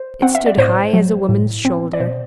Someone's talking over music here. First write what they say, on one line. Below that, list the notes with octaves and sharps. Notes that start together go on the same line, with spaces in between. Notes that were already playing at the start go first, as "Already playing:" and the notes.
It stood high as a woman's shoulder.
Already playing: C5
C4 F#5
E5
D5
A2 C5
F#3
A2
C4
D5
B2 C5